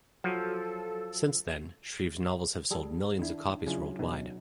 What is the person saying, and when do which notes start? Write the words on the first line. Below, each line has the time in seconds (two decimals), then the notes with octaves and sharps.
Since then, Shreve's novels have sold millions of copies worldwide.
0.24 F3 F#3 A4
2.71 G3 G#4 A4
3.19 D#3 D4 E4
3.67 C#3 F#3 E4 F4 G#4
3.99 B2 C#4 D#4